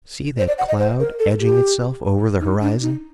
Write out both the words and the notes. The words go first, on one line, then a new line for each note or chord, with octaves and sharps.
See that cloud edging itself over the horizon.
C5
D5
F#5
D#5
C5
A#4
A4
G4
D#4
D4
D#4